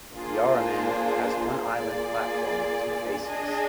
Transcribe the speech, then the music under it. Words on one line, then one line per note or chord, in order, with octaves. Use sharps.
Yarraman has one island platform with two faces.
A#3 D4 F4 G#4 C5
A#3 F4 G#4 D5
D4 G#4 D#5 G#5